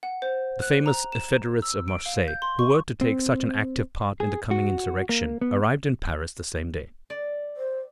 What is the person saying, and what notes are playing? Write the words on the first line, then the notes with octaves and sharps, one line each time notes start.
The famous federates of Marseilles, who were to take such an active part in the coming insurrection, arrived in Paris the same day.
F#5
C5
F#6
A#5
E7
E6
D7
F5
G6
C6
C#6
C4
G#4
F#4
A#3
B3
D5
C5